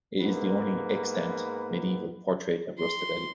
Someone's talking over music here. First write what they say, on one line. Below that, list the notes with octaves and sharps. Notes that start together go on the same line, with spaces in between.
It is the only extant medieval portrait of Rustaveli.
G#2 A#3 B3 B4
C6